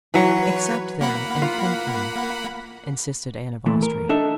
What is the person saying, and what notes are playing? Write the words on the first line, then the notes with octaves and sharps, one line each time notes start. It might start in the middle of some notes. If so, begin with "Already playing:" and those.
"Accept, then, and thank him," insisted Anne of Austria.
E3 F#3 B4 C#5
A#3 F#5 B5
F4
A#2 E3 A3
A#4
D4 D#4 A4 E5